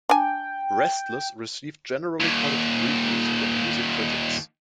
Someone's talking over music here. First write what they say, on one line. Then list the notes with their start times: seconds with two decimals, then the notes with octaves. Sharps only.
Restless received generally positive reviews from music critics.
0.09 D4 G5 G#5
2.20 D#2 A#2